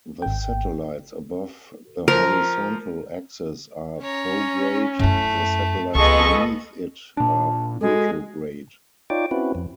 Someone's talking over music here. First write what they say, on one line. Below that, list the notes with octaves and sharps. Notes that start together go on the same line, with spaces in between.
The satellites above the horizontal axis are prograde, the satellites beneath it are retrograde.
G#1 G5
F3 A#4
C#4 C#5 A#5
F#2 A3 E4
C#2 B3 F4 G#4 A4 D#5 C#6
A#2 D4 A5
G#3 F#4 A4
D#4 F4 C#5 D5 G5 D6
C4 C#4 E4 F#4 B4
F2